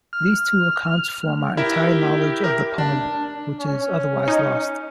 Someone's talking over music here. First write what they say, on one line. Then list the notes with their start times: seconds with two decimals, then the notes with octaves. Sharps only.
These two accounts form our entire knowledge of the poem, which is otherwise lost.
0.13 F6
1.57 E4 G4 A#4 E5
2.44 A#4
2.78 D4
3.60 C#4
4.28 D#4